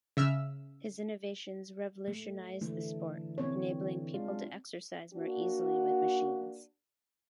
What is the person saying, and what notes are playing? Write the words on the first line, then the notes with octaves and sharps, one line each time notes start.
His innovations revolutionized the sport, enabling people to exercise more easily with machines.
C#3 E5 E6 F6
A3
D3 E3 A3
C4 C#5
G#3 D4 F4
A#3 D4 F#4